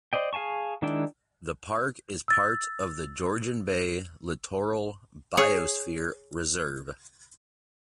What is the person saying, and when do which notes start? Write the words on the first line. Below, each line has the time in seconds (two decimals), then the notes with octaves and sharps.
The park is part of the Georgian Bay Littoral Biosphere Reserve.
0.13 C5 D5 D#5 G5
0.33 G#4 F5 G#5 A5 C#6
0.82 D#3 G#3 D4 E4 G5
2.28 E6 A6
5.37 G#4 C#5